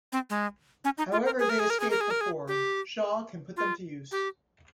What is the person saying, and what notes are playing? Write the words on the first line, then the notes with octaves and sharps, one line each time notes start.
However, they escape before Shaw can put them to use.
C4
G#3
C#4
D#4
F4
A#4
G#4
A#4
G#4
A#4
G#4
A#4
G#4
A#4
G#4
G4
F4
G4